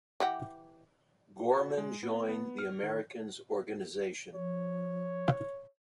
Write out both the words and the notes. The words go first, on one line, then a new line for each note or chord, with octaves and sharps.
Gorman joined the Americans' organization.
E3 G4 F#5
F#4
G#3
B3
B3
F6
D#3
F3 C#5